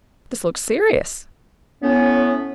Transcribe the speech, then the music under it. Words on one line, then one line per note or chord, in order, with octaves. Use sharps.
This looked serious.
A2 B3 C#4